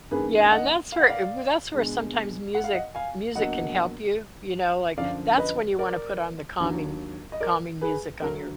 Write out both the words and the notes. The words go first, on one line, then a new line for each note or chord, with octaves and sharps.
Yeah, and that's where i that's where sometimes music music can help you, you know? Like, that's when you wanna put on the calming calming music on your
F#2 D#3 A#3 D4 G#4 B4
D#5 F#5
F5
F#5
D5 F5
B2 G#3 D4
F#5
F5
D#5 F#5
F5 G#5
B2 F#3 A#3 D4 D#5 F#5
F#2 D3 F3 D5 F5
B4 D#5
A#4 D5
D#2 D#3 F#3 D4
D#5
A#4 D5
G#4 B4
D2 D3 F#3 A#4